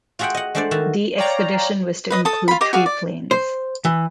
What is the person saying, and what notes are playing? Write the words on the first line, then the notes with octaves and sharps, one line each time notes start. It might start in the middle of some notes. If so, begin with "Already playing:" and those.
The expedition was to include three planes.
F4 F#4 G#4 E5 F#5 G5
D#5 F#5
G#3 A3 D4 A4 C5 D5
D#3 F#4 E5 A5
C#5 D5 F5 G5 A#5
B4 D#5 D#6
A4 A5 D#6
F4 B5
G4 D#5 D6
F#4 G#4 D5 F5
D5
C5
E3